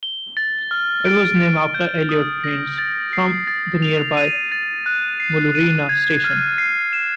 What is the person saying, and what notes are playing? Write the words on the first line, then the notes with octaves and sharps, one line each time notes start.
It was named after Elliot Price, from the nearby Muloorina Station.
G7
A6
F6
D7
D7
G6
D#6
A#6
A6
C7
A6
F7
D#7
A6
F#6
C7
D#7
G#6
F6
C7
E7